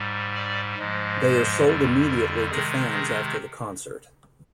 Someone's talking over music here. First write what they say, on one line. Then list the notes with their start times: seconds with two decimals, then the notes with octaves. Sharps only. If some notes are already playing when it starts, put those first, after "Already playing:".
They are sold immediately to fans after the concert.
Already playing: G#2 G3
0.35 D5
0.79 G#2 F3 G#3
1.21 C5
1.65 F2 D3 G3
2.08 A#4
2.50 C3 D#3 G#3 G#4
2.94 G#4